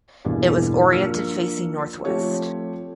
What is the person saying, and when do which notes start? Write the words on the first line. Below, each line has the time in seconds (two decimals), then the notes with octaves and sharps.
It was orientated facing northwest.
0.25 E2 G2 B2 E3 G3 A#3
0.93 F3 A#3 D4 E6 F6 C#7
2.05 F3 A3 C4 G4 C#5